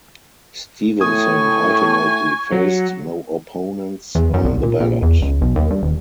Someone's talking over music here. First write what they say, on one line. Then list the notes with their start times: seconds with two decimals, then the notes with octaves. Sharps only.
Stevenson ultimately faced no opponents on the ballot.
1.01 A2 G#5 C#6 D#6
2.52 F#3 F#5
4.15 E2
4.34 F#2
4.45 C2
4.63 A#2
4.80 A#1
5.02 E2
5.22 C#2
5.41 B1
5.55 D#2
5.70 G2
5.83 D#1